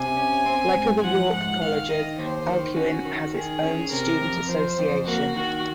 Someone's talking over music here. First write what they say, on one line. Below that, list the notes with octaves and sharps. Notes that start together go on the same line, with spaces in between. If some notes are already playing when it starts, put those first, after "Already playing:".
Like other York colleges, Alcuin has its own Student Association.
Already playing: C3 G#5
C#4
C4
G#2
F3 F#5
G#2 F#5
D#3 F5
D#3 D#5
D#2 C5
D#3
C#4 F#4
D#3
D#3 G#4
C#4
C3 A#4
F2
F3 C5
F2
A#3 F#4
D#3 F#4